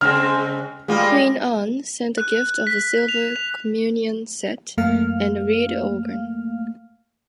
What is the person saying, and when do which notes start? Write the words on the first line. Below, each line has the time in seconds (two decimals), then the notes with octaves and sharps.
Queen Anne sent a gift of a silver Communion set and a reed organ.
0.01 C#3 G#3 C4 F6
0.88 G3 G#3 A#3 F4
2.18 F#6
2.67 B6
3.09 F7
3.36 F7
4.78 F#2 A3 A#3 F5 F6